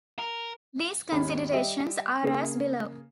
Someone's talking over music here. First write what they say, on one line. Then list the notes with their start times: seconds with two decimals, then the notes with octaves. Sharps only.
These considerations are as below.
0.19 A#4
1.12 G#1 D#2 D#3 C#4 B5
1.52 G3 D#5 E5 G5
2.23 C#3 A#3 G#4